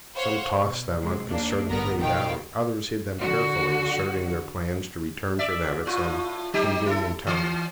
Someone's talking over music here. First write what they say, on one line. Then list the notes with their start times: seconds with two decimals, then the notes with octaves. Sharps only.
Some tossed them unconcernedly down; others hid them carefully, asserting their plans to return for them at some convenient time.
0.14 C5 C#5 F5 F#5
0.58 B2
0.97 C3 G#3
1.28 D#2 A#3 D4
1.69 A1 D3 B3 A#4 A#6
2.01 B2 D#3 F5 G5
3.19 D3 F#4
5.39 D5 E5
5.86 A2 F4
6.54 F#3 D#4 G4
6.86 E4 A4
7.27 E3